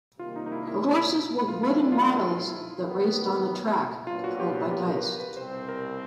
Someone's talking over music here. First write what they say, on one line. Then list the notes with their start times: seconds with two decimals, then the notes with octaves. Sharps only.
The "horses" were wooden models that raced on a track, controlled by dice.
0.19 C3 D#3 G3 A#3 F4
0.36 D#4
0.46 D#4
0.52 E4
0.63 D#4
0.68 E4
1.48 G2 D3 F3 A3 D4 F4
1.70 E4
1.92 F4
2.14 E4
2.35 E4
2.48 E4
2.57 D#4
2.78 D#3 F#3 B3
4.07 A#2 F#3 B3 D4 F4
4.24 F#4
4.36 F#4
4.40 G4
4.55 F#4
4.71 G4
4.87 A#4
4.97 B4
5.04 A#4
5.20 B4
5.36 C2 B2 G3 C4 C5
5.69 A#4